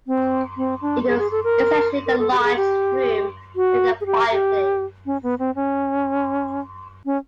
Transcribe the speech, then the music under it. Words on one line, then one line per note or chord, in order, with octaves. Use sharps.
It was essentially a large room with a fireplace.
C4
C4
D4
G#4
G#4
A4
A#4
A#4
A4
G4
A4
G#4
G4
F#4
G#4
G4
G4
C#4
B3
C4
C#4
C#4